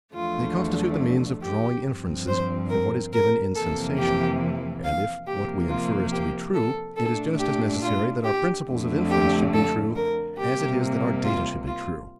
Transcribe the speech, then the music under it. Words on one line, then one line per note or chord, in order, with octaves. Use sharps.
They constitute the means of drawing inferences from what is given in sensation; and if what we infer is to be true, it is just as necessary that our principles of inference should be true as it is that our data should be true.
E2 D3 F3 A3 F4
G4
G2 F3 C4
C5
A#4
A#4
F2 C3 E3 A#3 A4
G4
F5
C3 F3 A#3 G4
F4
G4
A4
A#2 A3 D4 A4
G4
F4
G4
F2 D3 A3
G4
A4
A#4
C3 G3 A#3 G4
F4
F4